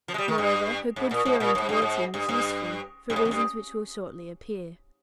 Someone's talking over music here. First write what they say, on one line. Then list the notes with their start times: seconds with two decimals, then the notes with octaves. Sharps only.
Moreover, her good feeling towards him was useful, for reasons which will shortly appear.
0.08 F3
0.14 G#3
0.18 G3
0.28 D#3
0.38 G2
0.96 G#2
1.11 A#2
1.25 G#2
1.40 A#2
1.55 G#2
1.69 G2
1.82 G#2
2.14 G2
2.29 G2
3.10 G2
3.16 G#2
3.25 F2
3.31 G2